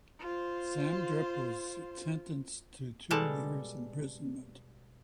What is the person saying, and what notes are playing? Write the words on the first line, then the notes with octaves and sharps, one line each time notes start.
Samdrup was sentenced to two years imprisonment.
F4 C5
B2 G3 G#3 A4 A5